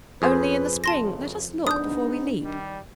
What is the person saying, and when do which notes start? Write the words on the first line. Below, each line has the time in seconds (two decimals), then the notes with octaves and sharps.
Only, in the spring, let us look before we leap.
0.22 F2 G#4 B4 C5
0.84 G#1 C#3 A5 C6 A#6
1.67 G#2 B3 D4 D#4 D#6 G6
2.43 D#3 G3